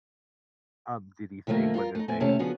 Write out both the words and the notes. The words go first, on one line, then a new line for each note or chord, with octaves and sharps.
Um, did he say whether they
C3 D#3 F3 A3 A#3
G2 F4 A4 A#4
A3 D#4
A#2 B3 C4 E4 G#5
D#2 C3 A3 C#4 A5
C#3 F3 B3 D4 F#4 G#4